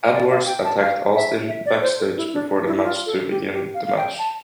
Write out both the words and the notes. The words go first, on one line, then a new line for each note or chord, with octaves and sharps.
Edwards attacked Austin backstage before the match to begin the match.
D5
F5
G5
A5
F5
E5
E5
D5
C5
A4
E4
D4
D4
E4
E4
F4
A4
G4
G4
F5
F5
G5
A5